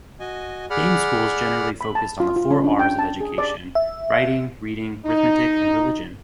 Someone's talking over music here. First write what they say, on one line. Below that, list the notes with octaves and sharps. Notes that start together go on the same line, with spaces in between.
Dame schools generally focused on the four R's of education-"Riting, Reading, Rithmetic, and Religion".
F#4 D#5 G#5
G#4 D5 F#5 B5 F6
B5
A5
F4
F4
C#4
D4
G5
A5
G#4
D5
E5
D#4